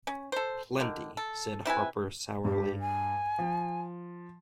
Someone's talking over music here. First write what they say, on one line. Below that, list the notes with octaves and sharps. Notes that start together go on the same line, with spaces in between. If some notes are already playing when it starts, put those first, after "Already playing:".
"Plenty," said Harper sourly.
C#4
A4 C5
D3 D#3
A4
C3 E4 B4 G#5
G2 G4
G#5
F3